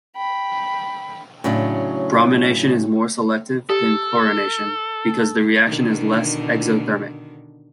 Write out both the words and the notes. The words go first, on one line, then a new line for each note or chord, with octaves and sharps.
Bromination is more selective than chlorination because the reaction is less exothermic.
G5 B5
A2 C#3 F#3 D4
G4 A4
B2 D3 D#3